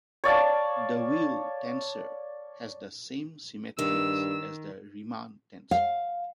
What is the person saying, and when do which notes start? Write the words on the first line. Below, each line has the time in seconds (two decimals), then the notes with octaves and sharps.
The Weyl tensor has the same symmetries as the Riemann tensor.
0.24 C#5 D5 F5 A5
3.79 G2 D#3 E6
5.71 F5